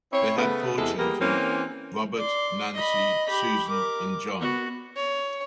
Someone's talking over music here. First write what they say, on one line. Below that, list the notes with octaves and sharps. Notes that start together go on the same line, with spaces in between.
They had four children: Robert, Nancy, Susan and John.
C4 C#4 E4 C#5
C#3 A3 B3
E2 C3 G#3 E4 A4
G3 A#3 B3 G#4 A#4
E3 A#3 C4 C#4
D5 C6
D#5 B5
G4 B5
A#4 D6
B3 F#4
C#5